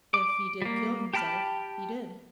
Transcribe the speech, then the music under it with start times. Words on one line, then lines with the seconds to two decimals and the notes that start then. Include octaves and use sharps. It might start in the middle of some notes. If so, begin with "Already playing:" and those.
If he did kill himself, he did.'
0.14 D6
0.62 G3 A#3
1.14 G4 G5 A5 B5 F6